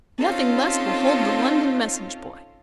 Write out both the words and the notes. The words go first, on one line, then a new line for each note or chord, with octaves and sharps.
Nothing less will hold the London message-boy.
C4 C#4 D#4 F4 A4